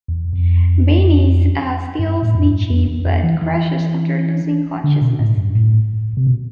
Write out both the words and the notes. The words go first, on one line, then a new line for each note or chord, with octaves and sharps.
Baines steals the jeep, but crashes after losing consciousness.
E2
F2
G2
A2
F2
G2
F2
E2
F2
E3
E3
D3
B2
A2
G2
A2
C3
B2